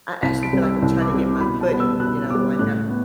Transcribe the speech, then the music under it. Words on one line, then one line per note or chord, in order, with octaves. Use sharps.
I actually feel like I'm trying to get my footing, you know, like I'm
C2 B6
D7
C3 G3
E6
C2
D6
C3 G3
B2 B5
A5
G3 B3
E6
B2 F#6
G3 B3 D6
A2 F#6
B3